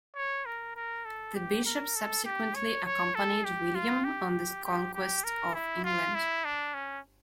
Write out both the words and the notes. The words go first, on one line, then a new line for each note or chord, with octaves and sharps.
The bishop subsequently accompanied William on the conquest of England.
C#5
A#4
A#4
A4
G4
A#4
A4
G4
C#5
C#5
A4
G4
F4
G4
G4
G4
A#4
E4
F4
E4
D4
C#4